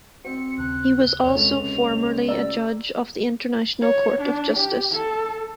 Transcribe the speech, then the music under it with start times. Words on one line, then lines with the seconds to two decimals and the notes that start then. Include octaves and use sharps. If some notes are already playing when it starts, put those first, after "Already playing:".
He was also formerly a judge of the International Court of Justice.
0.25 C4 F#4 C5 C#7
0.58 D#2 C#3 F#6
1.01 G7
1.24 E2 C3 C#5 F7
1.36 C#2 G#3 C4 A4 F7
2.28 A3 G4 D5 A#5 E6
3.81 C#5
4.21 D4
4.57 G4
4.91 A4